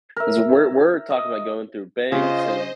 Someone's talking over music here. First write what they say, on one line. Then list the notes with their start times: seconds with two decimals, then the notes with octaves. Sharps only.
because we're we're talking about going through banks and
0.16 A#4 E5
1.10 D#5
2.12 C#3 F4 C5 D#5